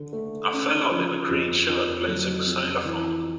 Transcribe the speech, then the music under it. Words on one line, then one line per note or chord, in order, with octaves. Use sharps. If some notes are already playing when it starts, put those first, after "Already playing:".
A fellow in a green shirt plays a xylophone.
Already playing: D3
A3
C#4
F3
F2
F2
F#3
F2
E3